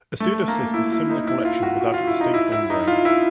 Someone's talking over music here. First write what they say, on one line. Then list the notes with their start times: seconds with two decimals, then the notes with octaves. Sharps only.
A pseudocyst is similar collection without a distinct membrane.
0.20 A3
0.48 A#3
0.74 E4
0.92 E4
1.10 D#4
1.27 E4
1.45 F4
1.63 F#4
1.81 F#4
1.94 F4
2.07 E4
2.21 D#4
2.34 E4
2.52 E4
2.70 D#4
2.87 F4
3.05 E4